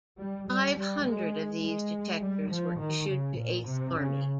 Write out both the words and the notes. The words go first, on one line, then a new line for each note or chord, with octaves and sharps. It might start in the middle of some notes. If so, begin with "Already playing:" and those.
Five hundred of these detectors were issued to Eighth Army.
G3
G3
G3
G#3
G#3
G3
F3
D#3
C#3
A#2
C3
C#3